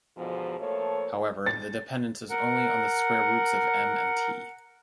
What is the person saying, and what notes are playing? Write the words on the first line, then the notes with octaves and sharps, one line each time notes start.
However, the dependence is only on the square roots of "m" and "T".
E2 G#2 B2 D3 F3
F3 A3 A#3 A4 C#5
A6
A#4 F#5